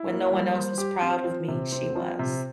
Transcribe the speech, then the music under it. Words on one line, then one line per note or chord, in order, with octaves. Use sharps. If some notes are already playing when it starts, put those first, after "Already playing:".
When no one else was proud of me, she was.
Already playing: E4
A#3
G3
C5
G4
C4
F3
C3
C4
F3
C3